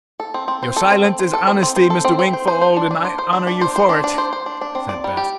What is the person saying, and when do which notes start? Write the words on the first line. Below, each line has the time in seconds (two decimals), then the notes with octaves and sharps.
"Your silence is honesty, Mr. Wingfold, and I honour you for it," said Bascombe.
0.20 A4
0.34 C4
0.48 C4
0.63 C5
0.76 A4
0.91 C4
1.05 C4
1.19 C5
1.33 A4
1.47 C4
1.63 C4
1.76 C5
1.90 A4
2.05 C4
2.19 C4
2.33 C5
2.47 C5
2.61 C5
2.76 D4
2.91 D4
3.04 C5
3.19 C5
3.33 D4
3.47 D4
3.61 C5
3.76 C5
3.89 D4
4.04 D4
4.18 C5
4.33 C5
4.46 D4
4.61 D4
4.75 C4
4.89 D5
5.04 G3
5.17 G4